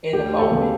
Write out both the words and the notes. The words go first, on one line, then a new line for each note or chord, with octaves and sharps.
in the moment.
D2 G4
A4
C#3 G3 B3